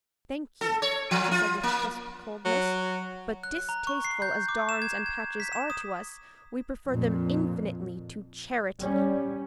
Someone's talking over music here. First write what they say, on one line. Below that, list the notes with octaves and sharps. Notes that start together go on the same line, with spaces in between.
"Thank you," she said with crisp coldness; "but, distasteful as darns and patches are to us, we prefer them, infinitely, to--charity!"
A4
C#5
F3
F4
A#3
F#3
F#6
A#5
C#6
C7
G6
D6
E7
G#6
G#6
B6
E7
D#6
F2 A#2
G3 C#4